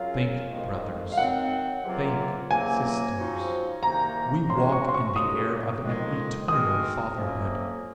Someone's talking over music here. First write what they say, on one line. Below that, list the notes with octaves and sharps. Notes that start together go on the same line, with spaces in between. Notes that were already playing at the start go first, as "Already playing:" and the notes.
Think, brothers, think, sisters, we walk in the air of an eternal fatherhood.
Already playing: F#2 C#3 F#3 C#4 F4 F5
F2 D#3 G#3
F5
D#3 F#3 C4 F#5
C#2 C3 F#3 A#3 F4
C#2 C3 F#3 A#3 G#5
C#3 F3 C4 D#4 F#4
C2 C3 D#3 A#3 D#4 A#5
C#3 F3 G#3 C#4 F#4 C6
C#6
C6
C#6
C#2 C#3 G#3 D#4 F#4 D#6
F2 D#3 G#3
D#3 G#3 C4 F#4 A#4 D#6
F2 C3 F#3 A#3 C#4